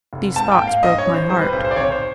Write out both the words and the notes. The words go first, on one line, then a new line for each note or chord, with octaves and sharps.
These thoughts broke my heart.
F1
G#2 A5
G5
A#3
F5
G2 D#5
C#5
E3
C5
G3 C5
B4
B1 C5
C5
D5
G#1 C#5
C5